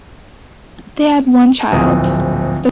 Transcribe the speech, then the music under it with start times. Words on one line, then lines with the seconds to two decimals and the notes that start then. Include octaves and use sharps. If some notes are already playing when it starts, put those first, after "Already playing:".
They had one child.
1.72 D1 A#1 D#6